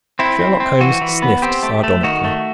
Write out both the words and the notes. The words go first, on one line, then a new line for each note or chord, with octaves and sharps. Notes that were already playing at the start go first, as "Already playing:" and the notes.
Sherlock Holmes sniffed sardonically.
C4 E4
C4
C4
E3 F#4
E3
B3
C4 G4
A3
A3
D#3 F#4
A3